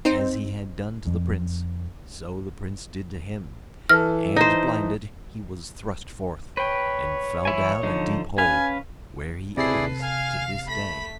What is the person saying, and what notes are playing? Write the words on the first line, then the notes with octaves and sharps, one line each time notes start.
As he had done to the prince, so the prince did to him, and, blinded, he was thrust forth, and fell down a deep hole, where he is to this day.
C4 D#4 C5
F2
E3 A4 F6
D#4 C5
B4 C#5 G5
E3 E4 G#5
D3 F3 D#4
C#4 B4 F5 G#5
C3 E4 G#4 A4 B4 D5 C7
F5 G#5 F6
A3 B5 B6